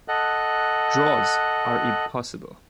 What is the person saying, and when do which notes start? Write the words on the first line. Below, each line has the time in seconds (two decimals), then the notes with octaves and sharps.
Draws are impossible.
0.08 A4 D#5 F#5 F#6